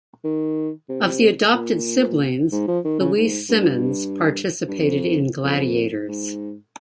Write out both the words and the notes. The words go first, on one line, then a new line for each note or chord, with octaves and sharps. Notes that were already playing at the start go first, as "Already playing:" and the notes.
Of the adopted siblings, Louise Symonds participated in Gladiators.
D#3
C3
A#2
G#2
F3
D#3
C#3
G#2
G2
G2
F2
F2
G#2